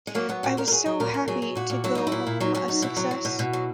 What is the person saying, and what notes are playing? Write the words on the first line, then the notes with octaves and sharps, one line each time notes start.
I was so happy to go home a success.
G#3
F#3 A#3
F#3 B3
A#2 F#4
A#2 A#4
A#4
F#3 G#4
F#3
A#2 A#4
A#2
F#3 G#4
F#3
A#2 F#4
A#2
F#3 E4
F#3 D#4
E4
A#2
A#2
F#3 D#4
F#3 C#4
B2 D#4
B2 E4
F#3
F#3
B2
B2
F#3